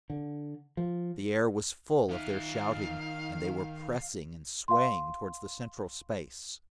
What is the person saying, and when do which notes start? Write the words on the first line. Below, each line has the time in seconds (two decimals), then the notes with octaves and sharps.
The air was full of their shouting, and they were pressing and swaying towards the central space.
0.10 D3
0.77 F3
2.09 D#3 D#4 E5 F5
4.68 F5 C6